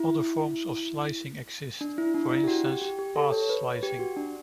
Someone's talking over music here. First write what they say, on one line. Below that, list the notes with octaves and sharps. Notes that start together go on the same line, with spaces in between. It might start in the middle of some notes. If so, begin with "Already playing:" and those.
Other forms of slicing exist, for instance path slicing.
Already playing: E4
D4
E4
D4
E4
G4
F#4
G4
G4
G4
A4
C#5
B4
G4
F#4
D4